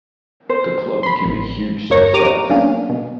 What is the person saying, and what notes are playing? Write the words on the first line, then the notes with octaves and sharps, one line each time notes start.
The club became a huge success.
C5
B5 C6
A1
G1 E2 A#3 C#5 C#6 A#6
G4 A#5 D6 D#7
F#3 G#3 A#3 B3 C#4 D4
B2